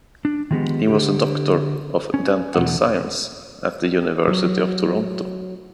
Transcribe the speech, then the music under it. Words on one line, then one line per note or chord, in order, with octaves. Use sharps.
He was a doctor of dental science at the University of Toronto.
D4
D#3 F3 G#3 B3 G4
D3 G4
C#4
E2 B2 G#3 A3 F#5
F#3